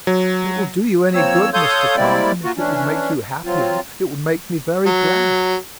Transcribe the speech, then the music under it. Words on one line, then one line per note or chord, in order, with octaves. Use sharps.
"If it will do you any good, Mr. Carton, if it would make you happier, it would make me very glad!"
F#3
F3 A#3 C4 C#5 E6
A4 C#5 F5 C6 D#6 G6
G3 G#3 A#3 C4 E4 D5
A#3 F4 F#4
E3 C#4 D4
F#3 C4 F4
F#3